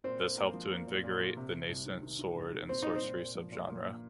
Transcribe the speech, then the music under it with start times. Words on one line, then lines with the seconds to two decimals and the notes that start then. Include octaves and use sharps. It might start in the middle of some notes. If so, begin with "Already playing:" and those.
This helped to invigorate the nascent sword and sorcery subgenre.
0.04 A#2 C4
0.20 A#3
0.37 A#3
0.54 F3
0.71 A#3
0.87 A#2
1.04 A#2
1.20 A#2
1.37 C3
1.53 C3
1.69 C2
1.86 D#3
2.03 D#3
2.19 D#3
2.36 C2
2.53 D#3
2.69 A#2 C4
2.82 A#2 D#4
2.95 C4
3.02 A#2
3.19 A#2
3.35 F3
3.52 A#2
3.68 A#2
3.85 A#3